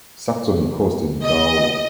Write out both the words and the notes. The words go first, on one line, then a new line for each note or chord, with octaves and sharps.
Saxony Coast in Gaul.
D#5